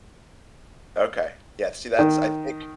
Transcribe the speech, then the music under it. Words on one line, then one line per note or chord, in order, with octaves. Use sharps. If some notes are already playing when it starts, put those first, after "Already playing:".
Okay, yeah, see, that's I think
D#3